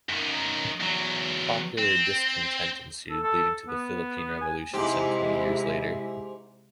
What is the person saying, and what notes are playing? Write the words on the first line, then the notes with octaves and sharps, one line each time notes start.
Popular discontent ensued, leading to the Philippine Revolution some twenty years later.
F#2 D#3
E2 F#3
C4
A4
A4
B3
G#5
G#2 C3 G#3 E4 G4